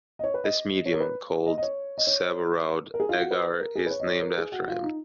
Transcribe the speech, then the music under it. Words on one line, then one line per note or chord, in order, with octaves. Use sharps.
This medium, called Sabouraud agar is named after him.
D#5
C#5
B4
D#5
C#5
A#4
B4
D#5
D#5
C#5
D#5
C#5
A#4
G#4
F4
F#4
B4
A#4
G#4
B4
C#5
D#5
C#5
A#4
G#4
F#4
F4
D#4